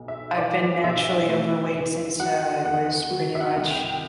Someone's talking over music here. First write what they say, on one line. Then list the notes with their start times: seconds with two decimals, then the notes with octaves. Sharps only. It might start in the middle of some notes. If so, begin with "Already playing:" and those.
I've been naturally overweight since I was pretty much
Already playing: B1
0.08 E5
0.38 E3 D5
0.83 B1 E5
1.29 A3
1.74 E2
2.20 F#3 F#5
2.64 E2 F#5
3.10 F#3
3.35 E5
3.40 F#5
3.56 C2
3.70 G5